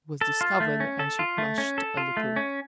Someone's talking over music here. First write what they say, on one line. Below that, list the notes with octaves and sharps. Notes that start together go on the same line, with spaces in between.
She was discovered, and she blushed a little.
A4
F4
A3
C#4
A4
F4
A3
C#4
A4
F4
A3
C#4